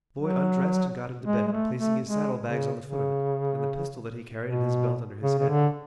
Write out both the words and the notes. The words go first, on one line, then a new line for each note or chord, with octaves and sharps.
The boy undressed and got into bed, placing his saddle bags on the foot of it, and the pistol that he carried in his belt under his head.
F#3
G#3
G#3
A3
A3
G#3
C#3
C#3
B2
C#3
C#3
D3